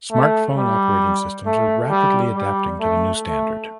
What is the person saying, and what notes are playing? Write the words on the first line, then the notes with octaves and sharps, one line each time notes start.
Smartphone operating systems are rapidly adapting to the new standard.
A3
G3
A3
G3
G3
A3
A3